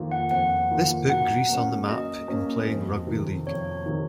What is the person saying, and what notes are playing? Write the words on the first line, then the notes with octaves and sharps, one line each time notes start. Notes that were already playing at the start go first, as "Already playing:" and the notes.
This put Greece on the map in playing rugby league.
Already playing: F2 D#3 A#3 F4
F#5
F2 F#5
D#3 A#3 F4
F#3 F#5
A#3 C#4
F#3 D#5
A#3 C#4
F2
C3 D#3
F2 C#5
C3 D#3